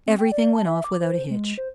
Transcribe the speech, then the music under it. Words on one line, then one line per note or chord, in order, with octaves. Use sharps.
Everything went off without a hitch.
C4
G5
D5
A5
E5
D6
C5
G#3
C5